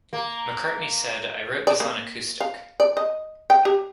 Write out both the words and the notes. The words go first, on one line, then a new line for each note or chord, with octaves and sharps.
McCartney said, I wrote this on acoustic.
A#3
D5
A#3
F5
D5
D#5
G5
G4